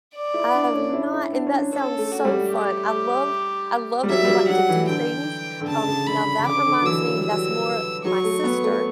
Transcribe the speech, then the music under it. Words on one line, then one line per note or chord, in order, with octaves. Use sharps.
I have not, and that sounds so fun. I love I love that you like to do things, um, now that reminds me that's more my sister,
D5
E4
D4
C#4
D4
E4
E4
D4
C#4
D4
C#4 A4
A3
F#4
A3
G3
G4
G3
F#3 E5
G3
F#3
F#3 F#5
E3
D3 G5
D3
C#3 A5
C#3
D3 B5
C#3
D3 D6
D3
F#3
E3 E6
F#3
G3
F#3 E6
F#3 C#6
A3
B3
A3